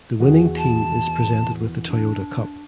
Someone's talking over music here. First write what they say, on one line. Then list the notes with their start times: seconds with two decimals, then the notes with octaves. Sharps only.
The winning team is presented with the Toyota Cup.
0.20 E2 F#4 G#4
0.57 A5
1.87 D4